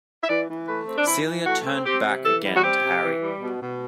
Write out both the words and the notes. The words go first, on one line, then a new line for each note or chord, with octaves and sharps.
Celia turned back again to Harry.
E5
E3 D5
E3
A3 B4
C4
D4
E3 E4
E3
A3 F#4
C4
C4 G4
C3
E3 A4
G3
F#4
C4 G4
C3
E3
G3
B2
B2